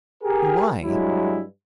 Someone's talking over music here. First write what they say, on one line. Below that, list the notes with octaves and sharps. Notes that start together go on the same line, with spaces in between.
And why?
G4 G#4 A#4
G2 F#3 G#3 E4